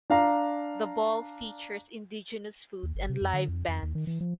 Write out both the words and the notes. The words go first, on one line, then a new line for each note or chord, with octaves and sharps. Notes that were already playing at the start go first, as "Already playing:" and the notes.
The Ball features Indigenous food and live bands.
D4 F5 A#5
D#2
G1
C3
F2
D3
F2
F2
D#2
D#3
E3
F3